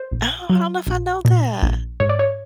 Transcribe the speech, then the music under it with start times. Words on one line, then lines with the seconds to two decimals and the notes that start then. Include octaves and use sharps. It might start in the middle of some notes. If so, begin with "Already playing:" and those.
Oh, I don't know if I know that.
Already playing: C5
0.11 A#1
0.50 F#3
0.87 A#1
1.25 A#2
1.63 A#1
2.00 G#2 C#5
2.09 D5
2.19 C#5